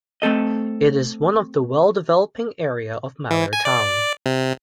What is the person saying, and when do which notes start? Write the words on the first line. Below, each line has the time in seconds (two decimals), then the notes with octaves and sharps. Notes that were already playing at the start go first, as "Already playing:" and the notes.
It is one of the well developing area of Malir Town.
0.22 A3 C4 A4 D#5
3.31 E3
3.53 G#5
3.65 D5
4.26 C3